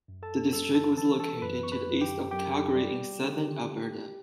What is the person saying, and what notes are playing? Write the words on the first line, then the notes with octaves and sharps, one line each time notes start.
The district was located to the east of Calgary in southern Alberta.
F#2
A4 A5
G3 A4 A5
A4 A5
E3 A4 A5
A4 A5
F#2 B4 B5
C#6
B4 B5
F#2
G4 G5
F#2 G4 G5
G3
D3